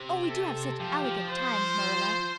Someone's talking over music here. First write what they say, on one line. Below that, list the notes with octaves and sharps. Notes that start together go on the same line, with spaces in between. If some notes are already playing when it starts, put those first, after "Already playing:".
Oh, we do have such elegant times, Marilla.
Already playing: C3
A4
F3 G4
F3
C5